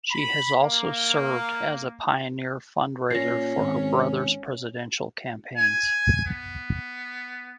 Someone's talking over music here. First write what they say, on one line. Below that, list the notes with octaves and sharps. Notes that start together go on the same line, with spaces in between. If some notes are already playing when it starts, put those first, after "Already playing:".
She has also served as a pioneer fundraiser for her brother's presidential campaigns.
B5
A#3
A#2 C#4 A#6 C7
G#1
G#5
B3